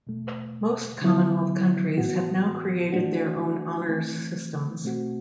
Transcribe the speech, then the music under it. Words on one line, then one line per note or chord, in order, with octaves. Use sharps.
Most Commonwealth countries have now created their own honours systems.
E2 B2 A3
D3 F#3 B3 E4
A2 E3 B3 F#4
E3 A3 D4 F#4
E3 A3 C4
B2 A3 C4 F#4